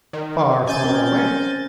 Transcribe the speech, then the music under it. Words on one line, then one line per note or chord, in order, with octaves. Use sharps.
"Far, far away!"
D#3
C#4 G#5 G6 A6
C4 A#4